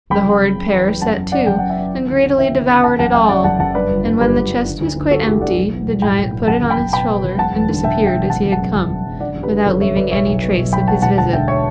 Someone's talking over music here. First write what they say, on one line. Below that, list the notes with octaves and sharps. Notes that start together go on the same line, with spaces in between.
The horrid pair set to and greedily devoured it all, and when the chest was quite empty the giant put it on his shoulder and disappeared as he had come, without leaving any trace of his visit.
F#1 G5 B5
F#1
C#3
C#3
E2
E2
F#2 F#5 A5
F#2
C#3 D5 F#5
F#1 G5
C#3 F#5
E5 G5
C#3
E3
D2
C#3
E3 E5 G5
D2
C#3
E2 F#5 A5
F#1 F#5 A5
F#1 E5 G5
C#3 D5 F#5
F#1 F#5 A5
F#1 F#5 A5
G2 B4 D5
G1
G2
G1 G4 B4
G1
G2
D3
D2
D3
D3 F#4 A4
E1 E4 G4
D3 D5 F#5
B1
E3
B1
A2 G5 B5
B1
E3
F#1 F#5 A5
F#1
G5 B5
F#1
B2 G5 B5
B2
F#1
E1 F#5 A5
E2
D3
E1 E5 G5
E2
E5 G5
E1
F#1 F#5 A5
F#1
F#5 A5
F#2
F#1
F#1
F#2
D3 D5 F#5
F#1
G4 B4
D3
F#1 A4 C#5
F#1 C#5 E5
F#1 B4 D5
B1 C#5 E5
B1
B2
B2
B1 G5 B5
B2 F#5 A5
E1 F#5 A5
D2 F#5 A5
D3 E5 G5
C#5 E5